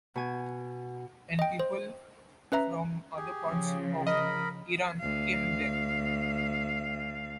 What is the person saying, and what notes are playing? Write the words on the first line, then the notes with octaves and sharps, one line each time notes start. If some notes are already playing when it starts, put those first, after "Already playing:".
And people from other parts of Iran came there.
B2 G#5
D#5 G5
C5
C#4 B4 E5 A#5
G4 G#4
C#3 F3
A#4 D#5 B5
D2 F5